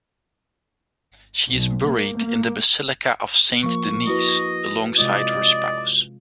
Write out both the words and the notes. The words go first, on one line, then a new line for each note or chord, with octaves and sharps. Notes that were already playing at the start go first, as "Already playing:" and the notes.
She is buried in the basilica of Saint-Denis alongside her spouse.
B1
A#3
A#3
F3 A#3 C#6
E4 F#4 B4 D#5
C3 G#3 F4 D5 D#5